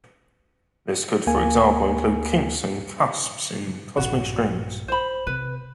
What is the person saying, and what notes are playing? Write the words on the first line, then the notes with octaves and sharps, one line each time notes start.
This could for example include kinks and cusps in cosmic strings.
D2 A#3 G#5
A#1 G2 F#4
C5 B5
C3 B4